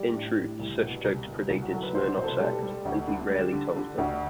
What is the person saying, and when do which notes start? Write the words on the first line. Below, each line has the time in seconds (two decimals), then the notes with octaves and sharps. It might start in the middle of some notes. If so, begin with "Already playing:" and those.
In truth, such jokes predated Smirnoff's act, and he rarely told them.
Already playing: G3
0.14 A2 D4
0.37 A2
0.59 C2
0.82 B2
1.04 C2
1.28 B2
1.50 C2 E4
1.61 F#4
1.72 F#3 A4
1.83 B4
1.94 C2 C5
2.06 D5
2.17 B2 C5
2.24 A4
2.28 B4
2.36 G4
2.40 G3 A4
2.62 G3
2.85 D2
3.08 D3
3.30 G3
3.52 D3
3.76 D3
3.98 D2